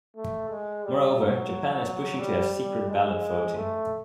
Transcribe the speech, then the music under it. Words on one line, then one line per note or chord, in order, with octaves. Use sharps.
Moreover, Japan is pushing to have secret ballot voting.
A3
G#3
G3
F#3
G3
G3
G#3
A3